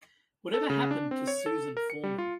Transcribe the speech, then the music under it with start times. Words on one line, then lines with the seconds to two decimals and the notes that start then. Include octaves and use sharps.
Whatever Happened to Susan Foreman?
0.54 A4
0.70 C#3
0.91 D4
1.11 C4
1.27 C#5
1.46 A4
1.77 A#4
1.90 C#7
2.03 G3
2.18 F4